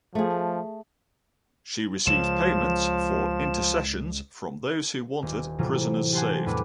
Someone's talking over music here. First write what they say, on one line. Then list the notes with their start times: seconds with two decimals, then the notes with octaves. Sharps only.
She received payments for intercessions from those who wanted prisoners saved.
0.15 F3 A3 G#4
2.07 C#2 F3 E7
5.22 D#1
5.59 A2 C3 E3 F#3 G3 F4
6.13 G4 A4 C5 F#5 G#5
6.46 E2 A2 C#4 D4 B4